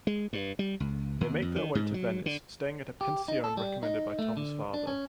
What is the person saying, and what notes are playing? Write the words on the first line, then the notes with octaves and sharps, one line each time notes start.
They make their way to Venice, staying at a "pensione" recommended by Tom's father.
G#3
G2
G3
C#2
D#2
F2
D#3
G#2
F#3
D3
G4
D#4
A4
G3
D#4
A3
D3
D4
C#4